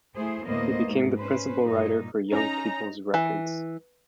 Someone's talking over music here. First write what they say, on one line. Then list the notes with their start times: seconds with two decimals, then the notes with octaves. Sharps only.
He became the principal writer for Young People's Records.
0.14 A3 E4 G#4 C5
0.44 D2 A2 A#3 B3 C5 D#5
0.84 G#2
1.18 C#4 B4 C5
1.64 G2 A#2 D#4
2.33 C#4 D#4 A#5
3.14 E3